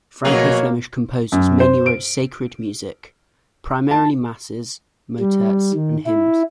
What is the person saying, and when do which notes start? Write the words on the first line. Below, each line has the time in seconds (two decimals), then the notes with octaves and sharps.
Franco-Flemish composers mainly wrote sacred music, primarily masses, motets and hymns.
0.24 B2 F3 F#3 A#3 G#4 C#5
1.32 F#2
1.60 C5
1.86 D7
3.91 A5
5.19 G3
5.74 D#3
6.06 E4